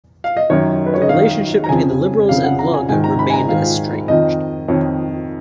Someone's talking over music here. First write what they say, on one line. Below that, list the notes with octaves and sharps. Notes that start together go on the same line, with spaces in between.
The relationship between the Liberals and Leung remained estranged.
F5
D#5
F#2 D#3 C#5
B4
C#5
D#5
F#2 D#3 F5
A#5
F2 C#3 G#5
F2 C#3 F5
F#5
A#5
G#5
G#2 D#3 G#5
A#5
B5
G#5
A#5
G#2 D#3 F5
F2 D#3 D#5
F2 D#3 C#5